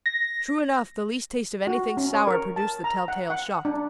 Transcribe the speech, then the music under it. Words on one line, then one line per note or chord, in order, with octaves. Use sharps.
True enough, the least taste of anything sour produced the tell-tale shock.
A#6
F#4
C#4
C#5
A#4
A5
A#5
F#5
F#5
D4